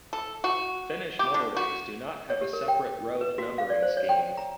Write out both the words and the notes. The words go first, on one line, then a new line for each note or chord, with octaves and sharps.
Finnish motorways do not have a separate road numbering scheme.
A4
F#4
G4
D3
F#4
C#5
G4
A#4
G5
B4
F#4
F5
D5
C5
C#5
G5
A#5